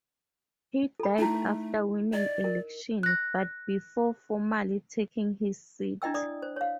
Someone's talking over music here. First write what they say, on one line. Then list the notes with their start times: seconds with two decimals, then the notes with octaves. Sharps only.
He died after winning election, but before formally taking his seat.
1.00 A4 B5
1.19 A3 D#4 E4
2.13 D5 D#5
2.44 A#4
3.03 F#6 A#6
6.02 D4 E4 D#5 G5 E6
6.14 D5 D#6
6.42 C5
6.56 C#5 F5